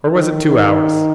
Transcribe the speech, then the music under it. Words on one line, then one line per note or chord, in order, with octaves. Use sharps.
Or was it two hours?
D#3
D#3